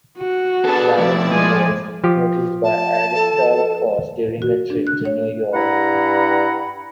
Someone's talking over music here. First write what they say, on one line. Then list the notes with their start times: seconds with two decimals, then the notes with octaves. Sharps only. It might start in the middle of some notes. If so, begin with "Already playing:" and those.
Lavigne was noticed by Arista Records during a trip to New York.
0.18 F#4
0.65 B3 D4 G#4 A4 A5
0.98 F3 A3 E4 D5
1.32 F3 G#3 G#5
2.04 F3 G4
2.64 A5
3.15 A4
4.42 F#4
4.70 D4
4.87 F#6
5.05 C#5
5.54 G2 E4 F#5 A#5 B5